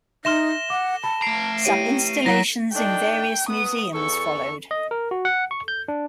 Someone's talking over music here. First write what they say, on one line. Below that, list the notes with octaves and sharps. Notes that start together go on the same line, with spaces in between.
Some installations in various museums followed.
D#4 E5 C6 F6 A#6 E7 G7
F#5 D6
A5 B5
A3 A#5 C7 D7
E4 G4 C#5 G5 D7 D#7
F#3 E4 C#5 A#5 A#6 B6
A3 D4 D#4 G5
B3 D#6
E2 A4 C#6
D#5
A#4
F#4
F#5
C#6
G6
D4